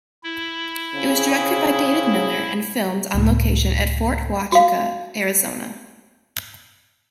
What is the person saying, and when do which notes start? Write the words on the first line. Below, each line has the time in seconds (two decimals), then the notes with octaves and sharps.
It was directed by David Miller and filmed on location at Fort Huachuca, Arizona.
0.24 E4
0.94 C#3 C4 G#4
3.14 C#2 A2
4.52 F#4 F5